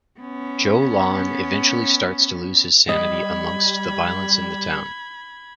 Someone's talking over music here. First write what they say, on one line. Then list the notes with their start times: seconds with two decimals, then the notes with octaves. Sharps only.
Joe Lon eventually starts to lose his sanity amongst the violence in the town.
0.20 B3 C#4
2.89 G3 D#5 B5 G#6